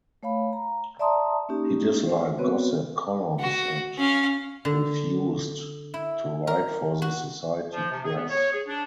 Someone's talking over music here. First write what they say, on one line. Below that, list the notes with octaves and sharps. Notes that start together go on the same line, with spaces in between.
He disliked gossip columns and refused to write for the society press.
A3 C#5 F5 B5
A#5
D5 E5 A5 A#5 C6 D#6
A#3 C#4 D#4 G4
C5
B3 C4 F#4 B4 C#5
F#4
C#4 F5
D3
E4
A#4
F#4
F3
C3
G#4
B3
C#5
G#4
D4